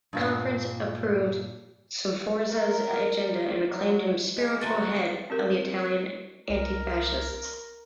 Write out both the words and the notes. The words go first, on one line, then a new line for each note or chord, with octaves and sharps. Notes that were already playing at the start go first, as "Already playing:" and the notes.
The conference approved Sforza's agenda and acclaimed him spiritual head of the Italian antifascists.
G2 A#2 F5
A#4
F#3
G#3 B3 D#5
D2 A3 F#4 A#5 C6 A6
C4 G4 A#4
C2 A#4